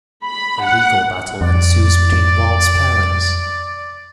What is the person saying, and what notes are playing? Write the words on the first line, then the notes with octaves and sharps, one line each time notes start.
A legal battle ensues between Walt's parents.
B5
F#5
F2 D5